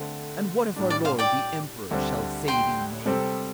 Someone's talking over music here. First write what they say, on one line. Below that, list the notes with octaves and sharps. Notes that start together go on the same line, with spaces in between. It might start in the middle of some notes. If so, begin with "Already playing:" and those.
"And what if our lord the emperor shall say thee nay?"
Already playing: D3 A3 C4
A2 G3 D4
D5
C5 F5
D5 G5
D2 D3 G3 C4
G5 C6
C3 G3 C4 A4